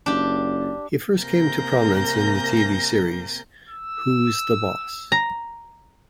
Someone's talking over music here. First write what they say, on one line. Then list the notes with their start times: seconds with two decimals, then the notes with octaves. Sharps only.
He first came to prominence on the television series "Who's the Boss?".
0.06 F#1 D4 G4
1.17 C3 A#3 A#4 G#5 G6 A#6
3.69 E6
5.12 A#5